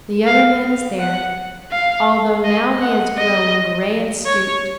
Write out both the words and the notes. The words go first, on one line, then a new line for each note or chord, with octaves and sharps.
The younger man is there, although now he has grown gray and stooped.
F5
F#5
F5
D#5
F#5
D#5
C#5